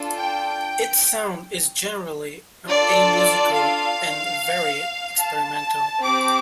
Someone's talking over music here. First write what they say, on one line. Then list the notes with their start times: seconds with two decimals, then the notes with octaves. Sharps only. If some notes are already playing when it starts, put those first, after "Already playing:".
Its sound is generally amusical, and very experimental.
Already playing: D4 F4 A4
0.16 G5
2.68 D4 F4 A4 D5
3.52 F5
5.20 A5
6.04 C4 G4 D6